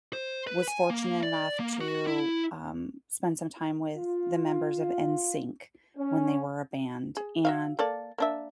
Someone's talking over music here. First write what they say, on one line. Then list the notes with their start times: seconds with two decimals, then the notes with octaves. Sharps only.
was fortunate enough to, um, spend some time with the members of NSYNC when they were a band, and
0.13 C5
0.47 B4
0.68 G#5
0.90 A#3
1.23 D5
1.60 A#3
1.81 F#4
2.07 E4
3.97 F4
5.97 C#4
7.17 G#4
7.45 F#4 E5 F5
7.79 A#3 A4 D5
8.18 A#3 D4 E5